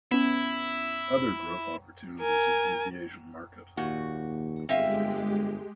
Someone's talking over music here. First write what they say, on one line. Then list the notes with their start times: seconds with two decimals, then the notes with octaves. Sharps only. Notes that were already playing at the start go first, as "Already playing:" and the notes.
Other growth opportunities include the Asian market.
0.12 B3 C#4 E4
2.21 A#4 G#5
3.77 D#2 A#2 F#4
4.69 G1 G#3 C4 G4 E5 F5